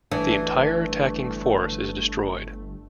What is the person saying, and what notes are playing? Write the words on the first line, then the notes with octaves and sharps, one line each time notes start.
The entire attacking force is destroyed.
G1 E3 A3 D4